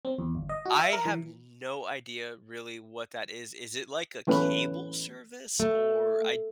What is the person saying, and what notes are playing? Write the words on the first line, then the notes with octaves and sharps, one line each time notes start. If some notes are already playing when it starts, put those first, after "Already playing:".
I have no idea really what that is, is it like a cable service? Or I
C4
E2
G1
D#5
F#4
E5
A#4
E3
E3 A3 C#4 B4
A3